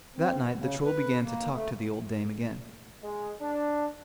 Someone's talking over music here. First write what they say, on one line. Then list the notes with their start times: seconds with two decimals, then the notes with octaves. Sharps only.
That night the Troll began to talk to the old dame again.
0.17 C4
0.42 B3
0.57 C#3
0.85 B4
1.23 A#3
1.54 A3
3.03 G#3
3.41 D4